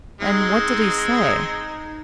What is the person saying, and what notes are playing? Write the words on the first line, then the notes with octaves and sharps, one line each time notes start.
"And what did he say?"
G#3 C4 D#4